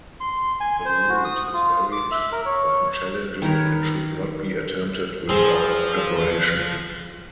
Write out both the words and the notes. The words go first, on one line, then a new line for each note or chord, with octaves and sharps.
The route is varied, often challenging and should not be attempted without preparation.
C6
G#5
C5
F#4
D#6
F4
D6
E5
A#4
C#5
D#3 A#4 B4 C#5
F3 C4 G#4